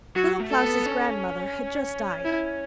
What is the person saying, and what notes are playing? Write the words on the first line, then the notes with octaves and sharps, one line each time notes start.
Little Klaus' grandmother had just died.
F#3 F#4
A3
A4
B3
C#4
E4